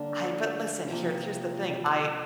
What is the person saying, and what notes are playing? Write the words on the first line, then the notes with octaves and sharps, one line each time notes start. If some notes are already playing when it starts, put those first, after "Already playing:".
I but listen, here here's the thing. I
Already playing: D3 G3 A#3 D4
C3 F3 A#3